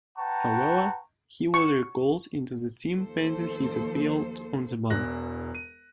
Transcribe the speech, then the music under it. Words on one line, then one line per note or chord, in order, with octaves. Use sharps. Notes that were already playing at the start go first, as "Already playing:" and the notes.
However, he was recalled into the team pending his appeal on the ban.
B4 F#5 G5 A5 A#5 C#6
C#6
D#2 F3 A#3 A4 C5
E1 E2 F#6 A#6
D#7